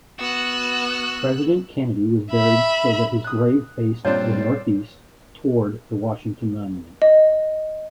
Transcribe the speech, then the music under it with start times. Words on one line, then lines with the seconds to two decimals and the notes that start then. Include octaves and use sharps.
President Kennedy was buried so that his grave faced northeast toward the Washington Monument.
0.19 B3 F#4 E6 F#6
2.32 E5 B5
3.24 D#6 F#6
4.05 G2 A#2 G3 C4 D4 F4 C5 C#5
7.02 D#5